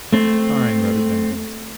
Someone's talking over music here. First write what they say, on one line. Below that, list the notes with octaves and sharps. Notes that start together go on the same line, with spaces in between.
Fine rhododendrons.
A3 C4